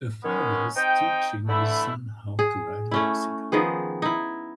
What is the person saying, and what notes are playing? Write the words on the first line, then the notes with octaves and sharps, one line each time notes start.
A father is teaching his son how to ride a bicycle.
D#3 G#3 B3 C#4
C4 D#4 G5
D3 E3 A3 E4
G#4
A3 C#4 E4
D#3 F3 B3 G#4
D#4 E4